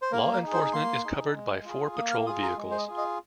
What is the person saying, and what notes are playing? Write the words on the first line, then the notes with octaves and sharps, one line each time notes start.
Law Enforcement is covered by four patrol vehicles.
C5
A#3 A#4
A#4
D#4 G#4
C5
A#3 C6
D#4 G#4
G#3
F4 G#4
A#3 D#6
F6
F4 G#4 D#6
A#5
G#3
C5
D#5
F4 G#4
D#5